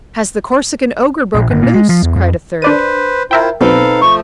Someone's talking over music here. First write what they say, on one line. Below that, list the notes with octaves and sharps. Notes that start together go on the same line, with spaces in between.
"Has the Corsican ogre broken loose?" cried a third.
A#1
G1
A#2
G#3
F3
E2
F2
D4 B4 C5 D5 D#7
E4 F4 A#4 C5 E5 G5
B1 B2 C4 D#4 A4 B4 F5
F3 A3 C#6